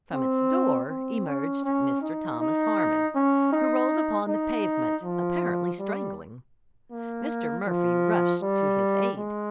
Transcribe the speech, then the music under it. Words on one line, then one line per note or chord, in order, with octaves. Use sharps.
From its door emerged Mr. Thomas Harmon, who rolled upon the pavement apparently strangling. Mr. Murphy rushed to his aid.
C4
C4
C#4
C#4
D#4
D#4
C#4
D#4
D#4
F3
G3
A#3
F3
G3
G#3